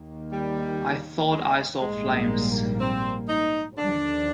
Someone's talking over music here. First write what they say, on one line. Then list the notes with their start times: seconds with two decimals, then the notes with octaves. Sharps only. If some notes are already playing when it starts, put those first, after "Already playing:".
I thought I saw flames.
Already playing: D#2 D#3 A#3
0.32 G3
1.31 G#3
1.81 A#1 G#2 G3 G#3 A#3
2.80 C4
3.29 D#4
3.78 D#2 D3 F3 D4